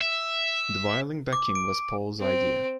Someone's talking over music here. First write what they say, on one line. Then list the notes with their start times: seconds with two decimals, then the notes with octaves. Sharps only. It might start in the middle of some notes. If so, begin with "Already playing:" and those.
The violin backing was Paul's idea.
0.01 E5
1.33 D6
1.55 D7
2.20 C4